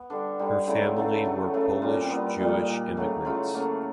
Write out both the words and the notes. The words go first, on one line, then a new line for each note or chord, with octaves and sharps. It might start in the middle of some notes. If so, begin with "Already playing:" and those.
Her family were Polish Jewish immigrants.
Already playing: B3
D3 G3 D4
D3 G3 D#4
C#3 F#3 A3 E4
F#4
C4
C#3 F#3 A3 B3
C#3 F#3 A3
C#3 F#3 A3
A#2 G3 C4
C#4
C4
A#2 G3 B3
A#2 G3 A3
A#3
D#4
A#2 G3
C#3 F#3 A3
C#3 F#3 A3 F4
E4
C#3 F#3 A3 A#3